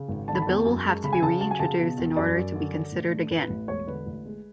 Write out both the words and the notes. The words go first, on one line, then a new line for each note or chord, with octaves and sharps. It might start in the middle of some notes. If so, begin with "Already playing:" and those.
The bill will have to be reintroduced in order to be considered again.
Already playing: C#3
G#1
D3 A5
B5
E2 A5
F#2
G#3
C#3 B5
G#5
C#3 A5
F#3 A5
G#5
C#3 A5
B2
E2
F#2 D5
F#2
D3
D3
A2
A3
A2 B4
A1
E1 C#5
D3 B4
A1
G#3